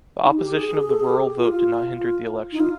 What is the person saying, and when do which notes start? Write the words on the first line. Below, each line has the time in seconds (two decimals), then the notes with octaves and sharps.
The opposition of the rural vote did not hinder the election.
0.23 D#4
0.37 G4
0.52 G#4
0.66 G#4
0.80 G#4
0.91 A4
1.00 G#4
1.09 G4
1.38 F4
1.52 F4
1.96 F4
2.53 D#4
2.60 F4